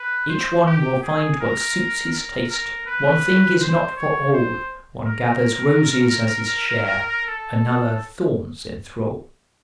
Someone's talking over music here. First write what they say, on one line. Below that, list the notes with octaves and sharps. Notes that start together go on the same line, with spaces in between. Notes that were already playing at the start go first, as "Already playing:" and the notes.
Each one will find what suits his taste, one thing is not for all, One gathers roses as his share, another thorns enthrall.
Already playing: B4
C5
G4
G#4
A#4
A#4
A#4
B4
C5
C#5
C5
A#4
A4